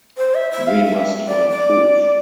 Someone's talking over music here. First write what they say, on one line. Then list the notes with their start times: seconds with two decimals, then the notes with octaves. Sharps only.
We must find proof.
0.18 C5
0.35 E5
0.51 E5
0.67 F5
0.84 E5
1.27 D5
1.50 D5